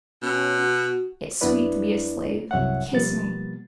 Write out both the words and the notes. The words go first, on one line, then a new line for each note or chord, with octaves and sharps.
It's sweet to be a slave. Kiss me!
B2 C#4
F#4
F#2 B3 D4 E4 B4 D5
C2 F#2 C#5 E5 F#5
B2 F3 G3 A#3 B3 A6